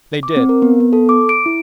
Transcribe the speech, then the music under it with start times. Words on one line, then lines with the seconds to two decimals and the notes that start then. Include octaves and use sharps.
They did.
0.23 D6
0.36 C4
0.49 A#4
0.62 B3
0.80 B3
0.93 A4
1.09 D6
1.29 D7
1.46 E4